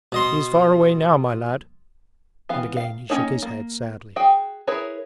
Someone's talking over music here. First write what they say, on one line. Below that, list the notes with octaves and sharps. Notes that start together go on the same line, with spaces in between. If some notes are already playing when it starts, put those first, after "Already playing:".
'He is far away now, my lad! ...' And again he shook his head sadly.
B2 D#5 C6
E3 B3 F5
F5
A#3 C#4 D#4 C#5
A#3
F#4 G#4 G5
E4 G#4 A#4 B4 C#5